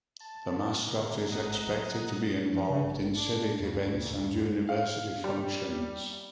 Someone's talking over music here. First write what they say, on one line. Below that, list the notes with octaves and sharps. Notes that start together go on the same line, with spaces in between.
The mascot is expected to be involved in civic events and university functions.
A5
D3 A#3
G#1 D#5 F#5 A#5
F#3
F3
C#3
A1
D4
F2
D2
D2
D2
F#2
F5
G3